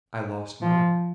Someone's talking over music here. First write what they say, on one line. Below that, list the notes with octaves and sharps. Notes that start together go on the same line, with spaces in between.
"I lost mine."
F3